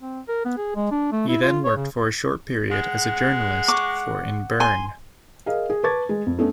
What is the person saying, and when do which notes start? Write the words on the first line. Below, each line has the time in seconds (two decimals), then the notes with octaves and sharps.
He then worked for a short period as a journalist for in Bern.
0.01 C4
0.28 A#4
0.45 B3
0.58 G#4
0.76 G#3
0.91 D4
1.12 A3
1.29 E4
1.42 F4
1.65 C#5
1.76 C#3
2.71 G#3 F#5
3.68 C#6 D6
4.60 G#5 C6
5.46 G#4 A#4 D#5 F5
5.70 G#4
5.84 B4 A5 C#6 D6 G#6 A6
6.09 G#3
6.26 F2
6.39 A3 B3 C#4 D4